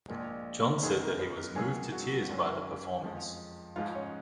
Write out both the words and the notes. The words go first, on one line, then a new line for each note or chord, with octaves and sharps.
John said that he was "moved to tears" by the performance.
A#1 A#2 F3 G#3
F#2 D#3 F#3 B3 D#4 G#4
A#4
B3 B4
A#4
C#2 B2 F#3 A#3 G#4 G#5
F#4 F#5
G#1 F#2 D#3 F#3 C#4
F2 F3 G#3
G#2 F3 G#3 F4 F5
C#4 C#5